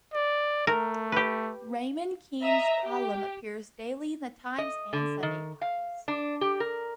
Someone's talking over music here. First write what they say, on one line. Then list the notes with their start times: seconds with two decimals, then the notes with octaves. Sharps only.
Raymond Keene's column appears daily in "The Times" and "Sunday Times".
0.14 D5
0.67 A3 A#4
1.12 G4 B4
2.42 D#5 E5 A#5
2.82 G4
4.58 D#5
4.93 D3
5.23 D#3
5.61 F5
6.08 D4
6.41 G4
6.60 A#4